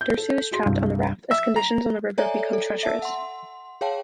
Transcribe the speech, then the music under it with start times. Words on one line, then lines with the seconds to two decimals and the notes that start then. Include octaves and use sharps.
Dersu is trapped on the raft as conditions on the river become treacherous.
0.01 G6
0.17 A4
0.51 F#4 G#4 C6
0.66 C2 G2
1.31 E5
1.56 A#5
2.18 A4 C#5 D5 E5 G#5 A#5
2.53 A4
2.83 E5 A5 E6
3.02 F#5 C6
3.81 G#4 C#5 F5 G5 A5